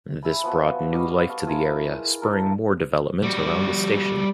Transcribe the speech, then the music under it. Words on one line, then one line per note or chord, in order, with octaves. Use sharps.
This brought new life to the area, spurring more development around the station.
E5 G#5 B5
F3 B3 F#4
G3 F#4 D#5 F5
A4 F5 C#6
E4 F4 G#4 A#4
A4 A#4
G3 F#4